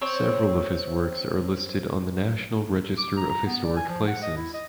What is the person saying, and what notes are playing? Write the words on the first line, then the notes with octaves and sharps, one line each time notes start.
Several of his works are listed on the National Register of Historic Places.
C4 C#5
D6
A#5
A#5
B3
D5
G#5
F3
F#5
D#5
E4
D#5